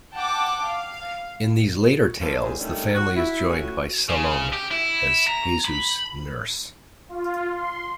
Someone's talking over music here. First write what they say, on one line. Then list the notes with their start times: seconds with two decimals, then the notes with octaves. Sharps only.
In these later tales the family is joined by Salome as Jesus' nurse.
0.14 F#5 G5 A5 D6
0.64 F5
2.21 E3 G3 A#3 A4 C5 F5
2.42 D#2 A2 G3 G#4 C5
2.59 D3 D#3 G3 A3 C#4
2.95 F#4
3.16 E4
3.49 A2 C#4 F#4
4.09 C#3
4.53 G4
4.71 E4
5.28 A#5
5.65 B5
7.09 F4
7.49 C6